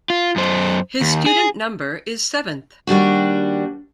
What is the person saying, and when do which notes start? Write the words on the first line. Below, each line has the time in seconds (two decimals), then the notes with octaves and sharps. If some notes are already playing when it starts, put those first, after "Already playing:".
His student number is seventh.
0.10 F4
0.36 F#2 C5
1.01 D#2
1.26 G#4
2.87 D#2 G3 D4 F#4